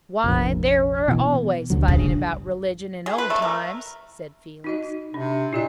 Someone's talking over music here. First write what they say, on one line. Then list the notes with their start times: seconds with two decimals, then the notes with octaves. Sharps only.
"Why, they were always fighting about religion in old times," said Felix.
0.24 F1 A#1
1.08 B2 E3
1.70 D2 D3 F#3
1.88 G2 C#3
3.06 G#4
3.18 B4
3.30 A3
3.42 A#4
4.64 D#4 F#4 D#5
5.14 C3 D4
5.53 A#2 E4 G4 D#5